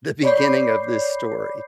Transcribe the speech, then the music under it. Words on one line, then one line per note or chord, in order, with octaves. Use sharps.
the beginning of this story.
C#5 D5 B5 D6 G6 C7